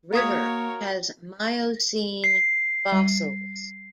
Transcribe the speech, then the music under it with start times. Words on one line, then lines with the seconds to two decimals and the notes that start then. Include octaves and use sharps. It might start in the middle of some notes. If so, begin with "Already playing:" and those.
River has miocene fossils.
0.13 A#3 F#4 A#4 C#5 F5 D#6 G#6
2.24 C7
2.92 G3